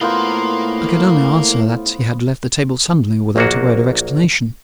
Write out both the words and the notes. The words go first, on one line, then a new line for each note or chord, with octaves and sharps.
I could only answer that he had left the table suddenly, without a word of explanation.
A2 A#3 B3 F4 A#4 C5
A#1 F#3 A#3 D4 F#4